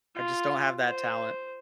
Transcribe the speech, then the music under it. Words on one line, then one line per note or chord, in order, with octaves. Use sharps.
I just don't have that talent.
F4
C5